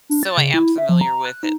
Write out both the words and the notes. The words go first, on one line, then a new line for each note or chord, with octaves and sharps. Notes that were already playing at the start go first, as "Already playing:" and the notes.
So I am familiar with it
D4
A6
C#3
E4
E5
F3
A#5
F#6
D#4